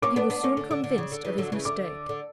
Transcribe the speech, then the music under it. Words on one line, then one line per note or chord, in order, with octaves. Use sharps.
He was soon convinced of his mistake.
A#3 C#4 D6
B3 D4
B3 D4
A#3 C#4
D3
D3
D3
C#3
D3
C#3 E3
D3 F#3
C#3 E3
D3 D6
D3